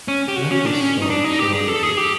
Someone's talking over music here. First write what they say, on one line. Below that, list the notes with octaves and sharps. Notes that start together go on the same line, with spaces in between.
Let this song surround you.
C#4
G4
F#4
C#4
D4
C#4
D#4
D4
D#4
G4
G#4
A4
G#4
G4